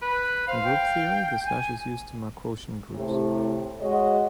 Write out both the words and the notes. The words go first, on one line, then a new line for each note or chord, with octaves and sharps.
In group theory, the slash is used to mark quotient groups.
B4
C5 F5
G5
G#5
A2 C3
G#3 F#4 C#5 D#5